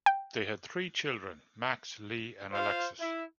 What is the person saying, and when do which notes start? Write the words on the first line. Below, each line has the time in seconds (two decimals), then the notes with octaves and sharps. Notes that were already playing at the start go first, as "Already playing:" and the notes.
They had three children: Max, Lee and Alexis.
0.06 G5
2.52 F4 C5 F5
3.00 E4